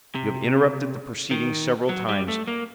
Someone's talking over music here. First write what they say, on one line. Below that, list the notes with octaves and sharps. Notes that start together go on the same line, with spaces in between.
You have interrupted the proceedings several times.
C3
D#3
F#3
G3
A3
A#3